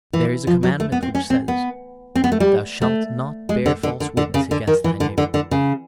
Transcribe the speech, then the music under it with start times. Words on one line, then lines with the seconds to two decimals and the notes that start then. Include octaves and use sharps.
There is a commandment which says: "Thou shalt not bear false witness against thy neighbor."
0.13 E3
0.47 F3
0.63 F#3
0.80 A3
0.92 B3
1.03 C4
1.15 C#4
1.30 C4
1.48 B3
2.15 C4
2.24 B3
2.32 A3
2.40 G3
2.82 A3
3.49 G#3
3.66 D3
3.83 D3
4.00 D3
4.17 D3
4.34 C#3
4.51 D3
4.67 D#3
4.84 E3
5.00 D3
5.18 D3
5.34 D3
5.51 C#3